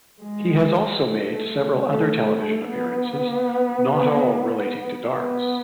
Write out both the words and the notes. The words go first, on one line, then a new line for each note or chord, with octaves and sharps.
He has also made several other television appearances, not all relating to darts.
G#3
A3
A3
B3
B3